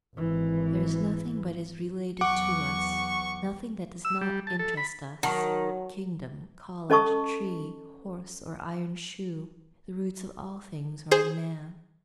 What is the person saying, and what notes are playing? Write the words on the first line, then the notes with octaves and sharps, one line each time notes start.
There is nothing but is related to us, nothing that does not interest us,--kingdom, college, tree, horse, or iron shoe,--the roots of all things are in man.
G#1 E3
E2 F#3 F#5 C#6 D6
E6
G3
A5
A4
B5
D#3 F#3 F#5 A5 C#6
C#4 A4 D#5 A5 C#6 D#6
G#4 C5